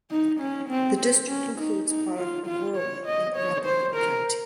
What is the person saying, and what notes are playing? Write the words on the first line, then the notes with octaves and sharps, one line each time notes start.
The district includes part of Aurora in Arapahoe County.
D#4
C#4
C4
C4
C#4
D#4
D#4
F4
F4
C#5
D#5
C#5
C5
A#4